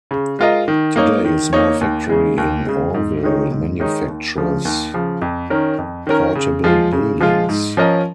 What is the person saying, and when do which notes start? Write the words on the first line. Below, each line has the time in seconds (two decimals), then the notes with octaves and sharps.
Today a small factory in Orrville manufactures portable buildings.
0.11 C#3
0.39 G#3 F4 A#4 D#5
0.68 D#3
0.96 A#3 D#4 C#5
1.25 D#3
1.53 A#3 D#4 C#5
1.81 D#2
2.10 C#3 G#3
2.38 D#2
2.66 C#3 G#3
2.94 G#2
3.23 D#3 G#3 D#4 C#5
3.52 G#2
3.80 D#3 G#3 D#4 C#5
4.08 D#2
4.36 C#3 F3
4.65 D#2
4.94 C#3 F3
5.22 F2
5.50 D#3 C#4 A#4
5.78 F2
6.07 D#3 C#4 A#4
6.35 C#3
6.64 F3 G#3 F4
6.92 C#3
7.20 F3 G#3 F4
7.49 G#2
7.77 F3 C#4 A#4 D#5